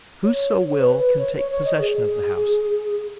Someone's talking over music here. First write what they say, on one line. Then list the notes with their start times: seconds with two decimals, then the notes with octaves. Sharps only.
Whoso will can take possession of the house.
0.24 C#5
0.71 C#5
0.80 B4
0.99 B4
1.18 C#5
1.38 C#5
1.51 C#5
1.66 D#5
1.80 G#4